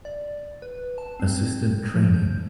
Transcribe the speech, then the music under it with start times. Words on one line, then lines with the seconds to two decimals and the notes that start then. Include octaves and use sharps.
Assistant training.
0.05 D5
0.62 B4
0.98 A5
1.20 C4
1.94 F3
2.14 G6